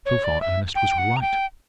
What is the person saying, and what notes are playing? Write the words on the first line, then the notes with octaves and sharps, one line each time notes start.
So far Ernest was right.
C#5
D5
E5
G5
F#5
A#5
G5